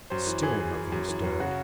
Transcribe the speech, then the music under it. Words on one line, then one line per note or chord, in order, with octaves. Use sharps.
Still nothing stirred.
F#2 C5
E3
E3 G#4
E3
E3
F#2
E3
F#2
C#3 F#4